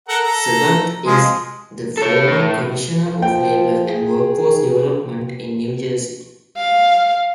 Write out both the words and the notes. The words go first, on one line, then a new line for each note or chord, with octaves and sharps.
Sabath is the former Commissioner of Labor and Workforce Development in New Jersey.
A4 A#4 F#5
A4 A#5
F3 G#3
A4 C#5
A2
F3 G5
G#4
F5